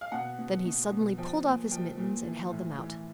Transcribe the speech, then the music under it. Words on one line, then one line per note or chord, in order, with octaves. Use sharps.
Then he suddenly pulled off his mittens and held them out.
F5
B2 F#5
B2
B2
B2
F3 G5
A#2
F3 G5
A#2
E3
A2
E3